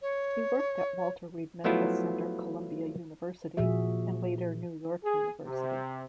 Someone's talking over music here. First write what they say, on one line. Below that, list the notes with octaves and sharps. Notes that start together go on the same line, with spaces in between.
He worked at Walter Reed Medical Center Columbia University and later New York University.
C#5
F3 F#3 A3 B3 E4 F4
A#2 F3 F#4 G#4 E5
G#4
C3